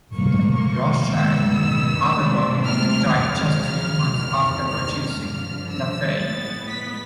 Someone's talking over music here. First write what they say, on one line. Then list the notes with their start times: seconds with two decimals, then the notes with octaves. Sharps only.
Rothschild, however, died just three months after purchasing Lafite.
0.13 A2 F3 A#3 C#6
1.14 F#2 D#3 G#3 B3 E6
2.16 C3 E3 A3 D4
2.66 F6
3.16 F#2 C#3 F3 G#3 F6
4.17 E2 C3 D#3
4.68 F6
5.18 G2 D3 F3 F6
5.69 E6
6.19 A2 E3 G#3 B3 A6
6.70 B6